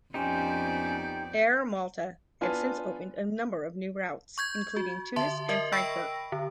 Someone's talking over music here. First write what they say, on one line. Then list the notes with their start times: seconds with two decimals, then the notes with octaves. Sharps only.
Air Malta had since opened a number of new routes, including Tunis and Frankfurt.
0.14 F2 B3 C#4 D#4 G4 C5 D5 G6
2.41 B3 D4 F4 B4 G#5 A5
4.38 C#6 G6 G#6
4.77 F#4
5.16 D3 E5 A5 C6
5.49 A#4 D#5 E5
5.72 G5 B5 C#6 E6 A#6 D7
6.32 D3